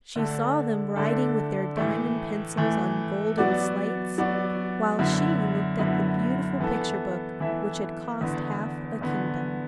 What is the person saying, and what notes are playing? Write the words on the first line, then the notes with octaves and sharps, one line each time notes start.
She saw them writing with their diamond pencils on golden slates, while she looked at the beautiful picture book which had cost half a kingdom.
D3 A3 D4 A4
D3 A3 D4 A4
A2 E3 A3
A2 E3 A3
F#3 B3 F#4 D5
F#3 B3 F#4 D5
F#2 D3 B3 E4 B4
F#2 D3 B3 E4 B4
E3 B3 E4 A4 E5
E3 B3 E4 A4 E5
E2 D3 B3
E2 D3 B3